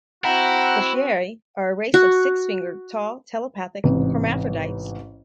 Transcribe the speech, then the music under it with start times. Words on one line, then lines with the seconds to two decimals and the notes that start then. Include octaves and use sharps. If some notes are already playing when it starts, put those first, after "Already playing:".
The "Chieri" are a race of six-fingered, tall, telepathic hermaphrodites.
0.24 C4 E4 F#4 F#5 G5 A#5
1.94 F#4
3.84 A1 G#2 C3